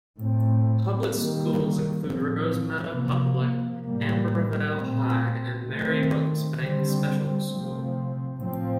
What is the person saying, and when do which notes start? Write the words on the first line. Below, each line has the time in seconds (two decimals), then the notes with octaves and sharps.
Public schools include Rosemeadow Public, Ambarvale High and Mary Brooksbank Special School.
0.19 A2 A3 C4
1.10 D#3 G3 A#3
2.02 A2 F3 C4
2.92 C3 F3 A#3
3.83 A2 G3 A#3
4.75 A#2 A3 C4
5.66 D#3 A3 C4
6.57 D3 G3 C4
7.48 C3 F3 A3 C4
8.40 A2 F3 C4